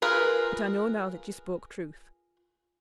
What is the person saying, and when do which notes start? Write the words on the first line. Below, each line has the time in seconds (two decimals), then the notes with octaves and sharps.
But I know now that you spoke truth.
0.02 F4 G#4 A#4 B4